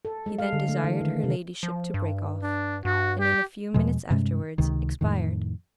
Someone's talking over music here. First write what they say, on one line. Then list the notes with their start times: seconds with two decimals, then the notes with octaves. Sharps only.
He then desired her ladyship to break off, and in a few minutes afterwards expired.
0.05 A4
0.26 G#3
0.38 F5
0.53 D3
0.68 A3
0.84 E3
1.01 D#3
1.24 C3
1.63 F3
1.94 G2
2.43 D4
2.85 G2 F#4
3.20 G4
3.74 E2 B2 F3 G#3
4.10 G2 C3 G#3 C#4
4.58 C#2 C3 D#3
5.01 F2 A2 D#3